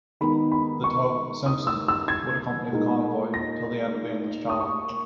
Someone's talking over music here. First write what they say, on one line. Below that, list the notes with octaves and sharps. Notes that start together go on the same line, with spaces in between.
The tug "Simson" would accompany the convoy till the end of the English Channel.
D#3 G#3 B3 D#4 B5
B5
C#6
D#6
E6
E6
G#6
A#2 G#3 D#4
A#6
D#6
C#6